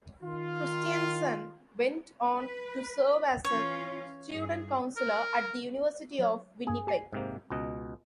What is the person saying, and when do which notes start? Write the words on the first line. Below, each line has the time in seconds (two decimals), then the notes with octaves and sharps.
Christianson went on to serve as a student counsellor at the University of Winnipeg.
0.23 D#3 F4
2.38 B4
3.45 E3 C#4 F4 C#5
4.30 G2 G#4
4.97 A#4
6.19 F#3 C#5
6.67 G2 A#3 G#4
6.87 G4 G#5 C7
7.13 G#2 C3 A#3
7.50 C#2 B2 D#5